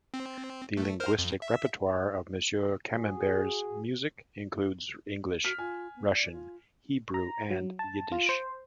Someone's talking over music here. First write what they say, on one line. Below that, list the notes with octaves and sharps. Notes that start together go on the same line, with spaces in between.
The linguistic repertoire of Monsieur Camembert's music includes English, Russian, Hebrew and Yiddish.
C4
A3
A#4 C5 F6
F2
E5
F#4 G#4
F#4 F6 B6
F4 G#5
B3
D5
F4
A#5
F#3
A5
F4
C5